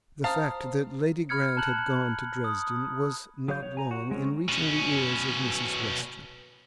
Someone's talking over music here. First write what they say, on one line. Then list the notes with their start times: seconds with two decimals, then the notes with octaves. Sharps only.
The fact that Lady Grant had gone to Dresden was not long in reaching the ears of Mrs. Western.
0.24 C5 F5 A5 A#5 D#6 F6
1.29 B5 F6 G#6 C#7
1.57 A5 A#5 F#6 F#7
2.44 D#6
3.48 F#3 G#4 C#5 F5 G6
3.63 C#5
3.77 G#5 A#5
3.91 F#4
4.11 G#3 C4 C#4
4.49 B2 C#4